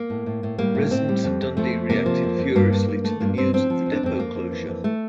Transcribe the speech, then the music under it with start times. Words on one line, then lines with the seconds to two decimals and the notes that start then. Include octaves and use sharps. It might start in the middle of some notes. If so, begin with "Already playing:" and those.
Residents of Dundee reacted furiously to the news of the depot closure.
Already playing: A#3
0.10 A2
0.26 A2
0.43 A2
0.58 G3 A#3
0.75 A2
0.91 A2 C4
1.09 G3
1.24 F2
1.42 F2
1.57 F3 A3
1.73 F2
1.90 C3 A#3
2.06 F3
2.23 F2
2.39 F2
2.55 G2 A#3
2.73 G2
2.89 G2
3.04 A3
3.20 G2 A#3
3.37 G2 C4
3.53 F3 C4
3.70 F3
3.86 F2
3.92 D4
4.03 F2 C4
4.19 F2 A#3
4.35 F2
4.52 E3
4.69 F2
4.84 A3